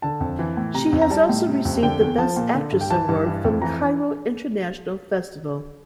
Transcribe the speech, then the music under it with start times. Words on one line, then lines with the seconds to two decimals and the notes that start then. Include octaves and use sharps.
She has also received the Best Actress Award from Cairo International Festival.
0.02 D3 A5
0.20 F2
0.39 E3
0.57 A2
0.74 C3 A#5
0.93 F2
1.02 A#5
1.10 G3 A5
1.29 A2
1.47 C3
1.65 F2
1.82 D3 G5
2.01 E2
2.18 F3 A5
2.36 A#2
2.55 D3
2.72 G2
2.81 G5
2.90 E3 A5
3.09 G2
3.26 E3
3.44 F2
3.62 E3 A#5